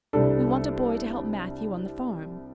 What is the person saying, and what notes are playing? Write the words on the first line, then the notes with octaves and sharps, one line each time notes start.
We want a boy to help Matthew on the farm.
C2 C3 G3 D4 A4